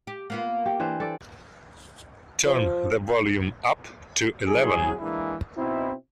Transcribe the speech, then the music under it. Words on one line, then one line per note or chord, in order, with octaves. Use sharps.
Turn the volume up to eleven.
G4
A#3 B3 F4
G4
E3 D4 C5
A4 D5
F3
C3 F#3 G3 E4 G#4
E3 G#3 A#3 D4 E4 G#4
B2 C4 D#4 E4